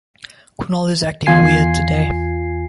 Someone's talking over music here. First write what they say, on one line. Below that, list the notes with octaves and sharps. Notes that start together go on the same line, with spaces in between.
Kunal is acting weird today.
E2 F4 G#5 C7